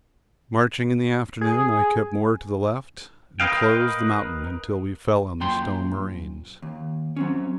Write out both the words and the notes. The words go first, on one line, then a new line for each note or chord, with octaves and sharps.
Marching in the afternoon, I kept more to the left, and closed the mountain till we fell on the stone moraines.
G#4
A#4 B4 D#5 F5 G5
F#2 A#2 G5 C6
D#2
F#3 C4 C#4